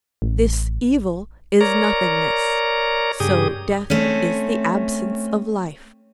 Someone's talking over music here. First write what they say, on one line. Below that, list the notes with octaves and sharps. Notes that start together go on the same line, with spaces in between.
This evil is nothingness; so death is the absence of life.
A1
A#4 C#5 D5 A#5
G2 C#3 G4 G#4 D#6
A3 C4 C#4